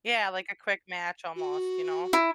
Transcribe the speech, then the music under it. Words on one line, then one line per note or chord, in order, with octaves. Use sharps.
Yeah, like a quick match almost, you know?
F#4
E4